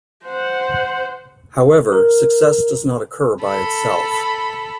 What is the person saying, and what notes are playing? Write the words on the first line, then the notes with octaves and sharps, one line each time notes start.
However, success does not occur by itself.
C5 F#5
A#4
A4 B5